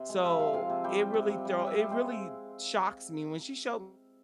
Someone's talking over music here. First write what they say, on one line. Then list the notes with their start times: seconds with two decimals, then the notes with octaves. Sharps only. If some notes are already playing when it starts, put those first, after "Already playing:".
so it really throw it really shocks me, when she showed
Already playing: C3
0.09 G#3
0.23 F3 E5
0.39 C3 F5
0.53 C3 F5
0.70 C3
0.84 G3 G5
0.99 G3
1.14 C3 G5
1.30 C3
1.45 G3
1.60 G3
1.66 E5
1.75 C3 F5
1.90 G#3 G5